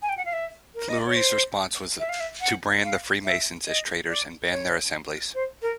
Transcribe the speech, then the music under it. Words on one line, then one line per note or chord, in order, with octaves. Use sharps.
Fleury's response was to brand the Freemasons as traitors, and ban their assemblies.
G#5
G5
F#5
F5
E5
A#4
D#5
D5
C#5
C5
E5
F5
E5
F#5
F5
E5
D#5
D5
C#5
C5
A#4